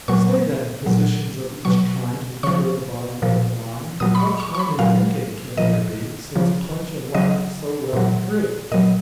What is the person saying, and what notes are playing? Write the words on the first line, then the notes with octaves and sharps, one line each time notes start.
'Say, then, physicians of each kind, Who cure the body or the mind, What harm in drinking can there be, Since punch and life so well agree?'
A#2 F#3 C#6
A#2 F#3
B2 F#3 C#6
C#3 F3 C#6
A#2 F3
A#2 F#3 D#6
B5
C#6
C#6
C#6
B5
A#2 F#3 F5
A#2 F3 D#5
C#3 F3
C#3 F#3 D#5
A#2 F#3
A#2 F#3 D#5